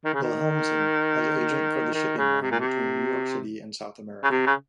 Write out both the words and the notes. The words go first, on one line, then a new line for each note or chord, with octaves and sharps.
Wilhelmsen as agent for the shipping line between New York City and South America.
D#3
C#3
D#3
D#3
C#3
C3
A#2
C3
C#3
C3
C#3